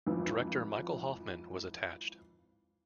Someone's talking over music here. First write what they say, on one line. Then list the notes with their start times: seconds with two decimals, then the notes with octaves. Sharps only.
Director Michael Hoffman was attached.
0.07 G#1 F2 E3 F3